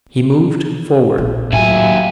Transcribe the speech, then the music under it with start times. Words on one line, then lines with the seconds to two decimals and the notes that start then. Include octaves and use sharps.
He moved forward.
1.18 A#1
1.52 D#2 A2 F#3 F4 E5 G#5